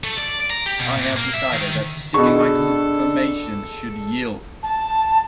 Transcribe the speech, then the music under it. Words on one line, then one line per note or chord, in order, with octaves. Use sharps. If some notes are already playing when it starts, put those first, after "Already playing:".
I have decided that seeking my confirmation should yield.
A3
D5
A#5
G4
B2
A#2
A#3
E5
D#3
B2 D4 G#4 A4 C#6
A5